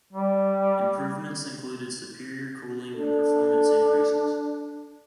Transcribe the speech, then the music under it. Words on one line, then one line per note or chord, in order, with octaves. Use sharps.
Improvements included superior cooling and performance increases.
G3
D4 A4